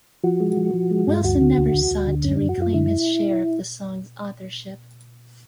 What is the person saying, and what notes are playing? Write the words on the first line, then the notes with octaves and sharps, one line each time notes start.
Wilson never sought to reclaim his share of the song's authorship.
F3 F#4
G#3
F3
F3
G#3
G2
D2 F#4
D3
D2
D2
D2
D3
F#2 C#4
F#2 D4
F#4
F#2 F4
D3 E4